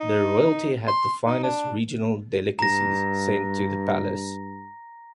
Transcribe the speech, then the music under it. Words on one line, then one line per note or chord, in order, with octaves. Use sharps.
The royalty had the finest regional delicacies sent to the palace.
D#4
C6
D#4
D4
G2 A#5 A#6